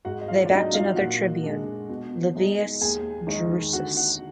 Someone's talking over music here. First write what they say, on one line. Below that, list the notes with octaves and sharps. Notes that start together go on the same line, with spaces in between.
They backed another tribune, Livius Drusus.
G#2 F#4 F#5
D#5
F4 F5
D5
F#3 D4 D#4 D#5
F4 F5
A#2 F#4 F#5
G#3 D4
B2
G#3 D#4
D#2 G#4 G#5
D#3 G#3 D#4
D3 F#4 F#5
F#4 F#5